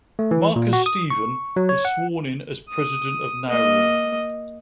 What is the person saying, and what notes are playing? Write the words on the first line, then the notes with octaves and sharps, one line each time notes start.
Marcus Stephen was sworn in as President of Nauru.
A3
E3
A#2
F#4
D#6
C#6
F#3
C#5
F#5
D#6
A#3 D#5